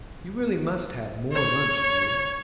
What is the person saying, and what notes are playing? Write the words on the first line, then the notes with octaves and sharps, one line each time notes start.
'You really must have more lunch, dear.
C#5